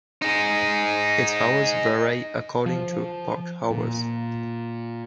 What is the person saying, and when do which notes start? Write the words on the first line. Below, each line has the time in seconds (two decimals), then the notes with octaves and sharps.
Its hours vary according to park hours.
0.22 D#4 G#4
2.66 F3
3.71 A#2